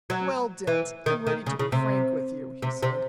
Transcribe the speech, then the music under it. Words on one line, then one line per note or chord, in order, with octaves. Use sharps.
"Well, Dent, I'm ready to be frank with you," he said.
F#3
E3
D#3
D#3
C#3
C#3
C3
C3
C3